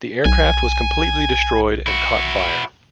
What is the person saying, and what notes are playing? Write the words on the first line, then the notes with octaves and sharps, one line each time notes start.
The aircraft was completely destroyed and caught fire.
B1 G#5
E4 F#4